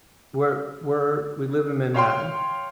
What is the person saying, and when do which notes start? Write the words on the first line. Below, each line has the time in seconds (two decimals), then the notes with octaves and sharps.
Where where we live in Manhattan.
1.94 C#5 F5 G5 C6